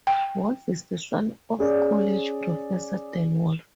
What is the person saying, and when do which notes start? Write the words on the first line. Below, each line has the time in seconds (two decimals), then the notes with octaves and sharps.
Wolf is the son of college professor Dan Wolf.
0.07 G5
1.59 C#4 G#4 D5